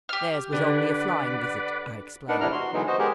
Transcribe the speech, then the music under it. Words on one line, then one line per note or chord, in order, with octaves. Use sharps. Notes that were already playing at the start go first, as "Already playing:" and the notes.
"Theirs was only a flying visit," I explained.
G4 F6
D3 D4 B4 D5 F#5
D4 D#4 A#4 B4 F#5
F2 C3 D4 E4 A#5 F6
F#4 C6
D3 E3 F#3 G#3 B3 D#4
F#4 C5 D#5
G#3 B3 G4 G#4 A#4